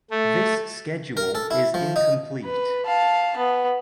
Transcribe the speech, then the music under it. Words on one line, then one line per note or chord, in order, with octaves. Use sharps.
This schedule is incomplete.
A3
A#4
A4
E4
F3
D#4
B4
F5 A5
B3